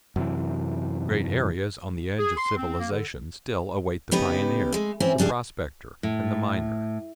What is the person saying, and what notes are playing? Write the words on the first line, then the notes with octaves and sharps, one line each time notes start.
Great areas on the edge of civilization still await the pioneer, the prospector, and the miner.
F#2 C3 E3
G#4
C6
C4
A#3
D3
C#3 B3 D#4 G4 B4
G#3 A3
E3 C4 C#4 E4
C#3 G3 D4 G#4
A2